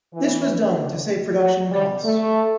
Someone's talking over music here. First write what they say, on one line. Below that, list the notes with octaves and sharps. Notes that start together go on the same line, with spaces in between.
This was done to save production costs.
E3
F#3
G3
A3